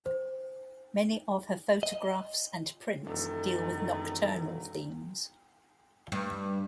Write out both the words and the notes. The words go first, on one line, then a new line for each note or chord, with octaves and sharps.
Many of her photographs and prints deal with nocturnal themes.
C5
D#5
E1 F#2 D#3 A4
G2